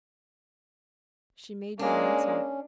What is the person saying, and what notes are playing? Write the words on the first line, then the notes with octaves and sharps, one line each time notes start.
She made no answer.
G#3 A#3 C#4 D4